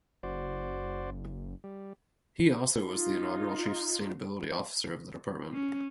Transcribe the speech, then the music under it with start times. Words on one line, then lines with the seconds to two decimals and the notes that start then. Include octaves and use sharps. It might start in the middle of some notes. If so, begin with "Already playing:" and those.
He also was the inaugural Chief Sustainability Officer of the department.
0.23 F#1 F#4 C5 D5
1.64 G3
2.86 D#4 F4
5.53 C#4